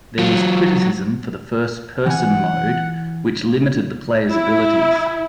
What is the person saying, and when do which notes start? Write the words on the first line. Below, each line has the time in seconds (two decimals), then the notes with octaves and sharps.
There was criticism for the first person mode, which limited the player's abilities.
0.19 F#3 F4
2.06 E3 F#5 G#5
4.28 E4